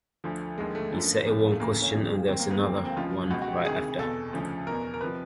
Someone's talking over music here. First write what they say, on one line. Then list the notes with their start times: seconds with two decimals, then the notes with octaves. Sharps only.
You settle one question and there’s another right after.
0.24 D2 D3 F3
0.58 D#2 D3 F3 G#3
0.75 A3
0.92 F#2 D3 F3
1.26 C2 A#2 F3
1.52 A3
1.60 D2 C#3 E3 A#3
1.72 A3
1.82 C#4
1.94 F2 C3 F3
2.28 D#2 D#3 C4
2.40 A#3
2.51 B3
2.62 D2 D3 F3 C4
2.74 A#3
2.85 C4
2.96 C#2 C#3 F3 F4
3.31 C#2 F#4
3.34 B2
3.42 F#4
3.48 G4
3.65 D2 C3 D#3 G#4
3.99 E2 B2 A4
4.33 D2 C#3 F3
4.67 E2 B2 A#4
4.94 A#4
5.01 C3 F3 B4